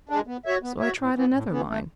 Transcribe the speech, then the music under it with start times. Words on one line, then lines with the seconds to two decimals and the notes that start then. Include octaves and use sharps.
So I tried another line.
0.09 G#3 D4
0.27 B3
0.45 F#4 C#5 E5
0.62 B3
0.80 F#4 C#5 E5
0.98 A2
1.15 E3 B3
1.34 A2
1.51 E3 B3
1.69 A3